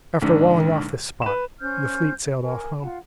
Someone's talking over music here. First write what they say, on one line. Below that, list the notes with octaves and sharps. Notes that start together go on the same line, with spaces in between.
After walling off this spot, the fleet sailed off home.
A#1 G#2 D3
B4 E7
C#4 C5 F6 G6
A#4 G#5
F4 F#5